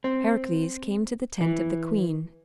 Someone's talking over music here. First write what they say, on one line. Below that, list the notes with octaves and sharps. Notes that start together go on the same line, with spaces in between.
Heracles came to the tent of the queen.
C4
E3